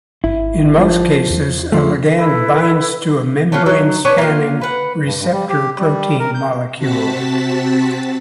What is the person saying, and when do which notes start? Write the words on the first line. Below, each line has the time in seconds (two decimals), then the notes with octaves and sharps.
In most cases, a ligand binds to a membrane-spanning receptor protein molecule.
0.24 G#1 E4
0.77 F3
1.30 E2
1.72 D3 F3 A3
2.13 E4 A4 B4
3.52 A3 B3 C#4 F4
3.66 F#3 D#4
4.05 C#4 D4 B4 C#5
4.18 A#3 F4
4.61 B4 F#5
5.05 G2
5.20 G2
5.32 G3
5.49 G4
5.80 G3
6.20 A#4
6.35 G6
6.77 C3 C4 F#4 A5 A6 B6